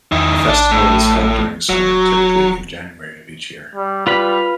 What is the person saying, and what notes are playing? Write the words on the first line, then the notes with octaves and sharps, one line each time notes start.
The festival was held during summer, typically in January of each year.
E2 D#3 E4
A1 D4
A2
D#1 F#3
G3
G3 F4 B4 B5